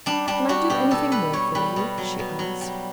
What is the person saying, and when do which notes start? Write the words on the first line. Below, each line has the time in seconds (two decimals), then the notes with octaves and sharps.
"Can I do anything more for you?" she asked.
0.06 G3 D4
0.28 G3 D4
0.49 G3 F#4
0.70 B2 G4
0.91 B2 A4
1.12 G3 B4
1.33 G3 C#5
1.55 G3 B4
1.76 B2
1.98 F#3
2.19 B2
2.39 F#3
2.61 G3